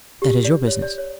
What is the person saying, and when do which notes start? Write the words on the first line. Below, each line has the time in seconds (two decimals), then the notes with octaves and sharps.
"That is your business."
0.22 G4
0.45 D5
0.67 C#5
0.82 D5
0.98 C#5